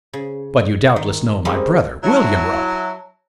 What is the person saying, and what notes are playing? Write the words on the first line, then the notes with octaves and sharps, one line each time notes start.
But you doubtless know my brother, William Rugg.
C#3
D#3
G3 G#3 A#3 C4 C#4 D#4
F#3 E4 C#5 A5